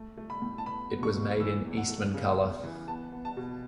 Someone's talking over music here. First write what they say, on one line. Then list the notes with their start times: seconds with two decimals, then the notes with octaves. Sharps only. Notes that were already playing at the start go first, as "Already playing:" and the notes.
It was made in Eastmancolor.
Already playing: A3
0.17 A3
0.30 B5
0.42 A2
0.58 A5
0.66 B3 B5
0.90 B3
1.03 C#6
1.16 B2
1.40 E3 E6
1.65 E2
1.77 F#5
1.89 A3
2.14 C#3
2.39 B3
2.63 E3
2.88 B3 A5
3.12 B3
3.25 A5
3.37 B2